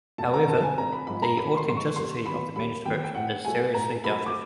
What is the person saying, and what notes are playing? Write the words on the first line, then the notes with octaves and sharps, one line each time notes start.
However, the authenticity of the manuscript is seriously doubted.
F1 A5
A#5
F2 D3 A5
G#5
G#1 A#5
B5
G#2 F3 B5
A#5
G#1 B5
C6
G#2 F3 C6
C#6
D#2 C6
D#3 F#3 B3 B5
D#2 B5
D#3 F#3 B3 G5
G5
A2 F#5
F#3 A3 G#5
A2 A#5
F#3 A3 B5
D6